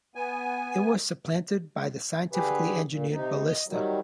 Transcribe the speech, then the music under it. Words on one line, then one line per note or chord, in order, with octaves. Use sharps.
It was supplanted by the scientifically engineered ballista.
B3 G#5
D3 G4 G#4 B4
A#2
C3 D#4
D#5
D#3 F#3 G3